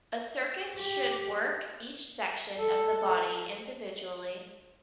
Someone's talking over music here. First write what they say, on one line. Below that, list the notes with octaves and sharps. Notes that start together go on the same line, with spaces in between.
A circuit should work each section of the body individually.
G4
A4